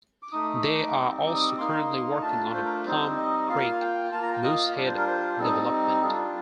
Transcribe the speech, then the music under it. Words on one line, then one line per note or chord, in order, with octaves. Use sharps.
They are also currently working on a Plum Creek Moosehead development.
D6
A3 D#4 D#6
D6
G3 C4 D#4
D6
D#6
D6
A#3 D#4 C6
A3 D4 F4 A5
C5
A#4
G3 C4 D#4 C5
D#5
A#3 F4 F5
G5
A#3 F4 A5
A#5
G5
D#5
G3 D4 F4 D5
C5
A#4
C5
G3 C4 D#4 A4
G3 D4 F4 A4